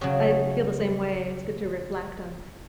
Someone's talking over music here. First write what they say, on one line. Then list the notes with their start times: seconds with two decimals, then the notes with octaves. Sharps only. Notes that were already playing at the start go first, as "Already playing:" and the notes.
I feel the same way, it's good to reflect on,
0.01 C#3 F#3 C#4 G#4